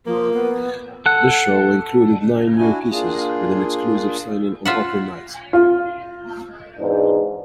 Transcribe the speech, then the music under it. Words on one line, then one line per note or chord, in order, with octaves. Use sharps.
The show included nine new pieces, with an exclusive signing on opening night.
F3 A#3
B3
A4 F#5
D4 E4 F#4 G#5
A#3 D4 F4 G#4
F4 E5 F#5
F4
E2 G#2 B2 D4